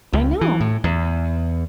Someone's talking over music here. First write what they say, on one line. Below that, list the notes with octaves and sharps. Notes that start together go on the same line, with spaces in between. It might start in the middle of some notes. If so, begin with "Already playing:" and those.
I know.
C#2
E3
A2
E2